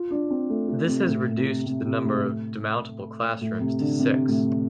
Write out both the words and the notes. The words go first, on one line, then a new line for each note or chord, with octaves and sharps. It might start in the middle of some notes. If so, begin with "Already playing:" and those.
This has reduced the number of demountable classrooms to six.
Already playing: F4
D4
C4
A3
A3
C3
A2
C3
C3
C3
A2
A2
C3
D3
C3
A2